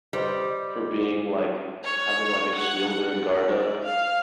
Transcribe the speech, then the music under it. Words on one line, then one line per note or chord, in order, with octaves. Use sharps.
for being, like having, like, a shield or a guard up.
G3 B4 C5 D#5
C#5
F#5
D5
F5